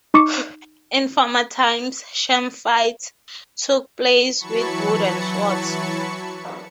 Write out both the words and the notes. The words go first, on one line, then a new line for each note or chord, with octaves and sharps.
In former times, sham fights took place with wooden swords.
D#4 C#6 D6 C#7
E3 F#3 A5 B5 C#6 C#7